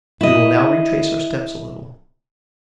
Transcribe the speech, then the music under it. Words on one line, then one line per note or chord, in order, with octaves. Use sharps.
We will now retrace our steps a little.
E4 D#5